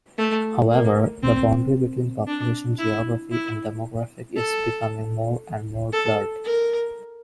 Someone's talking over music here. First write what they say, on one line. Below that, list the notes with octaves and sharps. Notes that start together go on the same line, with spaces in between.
However, the boundary between population geography and demographic is becoming more and more blurred.
A3
A#3
C4
D4
E4
E4
A4
A4
A#4